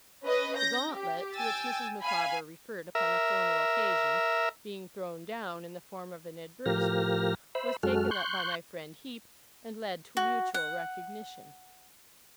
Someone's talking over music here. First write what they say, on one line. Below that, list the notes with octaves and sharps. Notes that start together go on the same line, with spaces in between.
The gauntlet, to which Mrs. Micawber referred upon a former occasion, being thrown down in the form of an advertisement, was taken up by my friend Heep, and led to a mutual recognition.
C#4 B4 D#5
G6 A#6
G4
G5 G#5 E6 A6
F5 G#5 B5
A#4 E5
A2 F3 G4 A#4 F6 A#6
C5 E5 B5
F#2 G#3 F#4 A4 F6
C6 C#6 F#6 G6
F#4
F#5